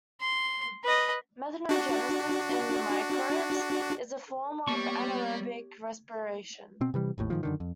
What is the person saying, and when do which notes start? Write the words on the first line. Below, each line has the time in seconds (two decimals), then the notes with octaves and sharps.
Methanogenesis in microbes is a form of anaerobic respiration.
0.20 C6
0.84 B4 D#5
1.69 D4 F#4
4.68 G3 A#3 B3 G4 C#5 C#6
6.81 B2 C4
6.94 C3 E3 G3
7.18 G#1 D#2 A2
7.30 G#2 D#3 F3
7.43 F#2 D3 D#3
7.60 F2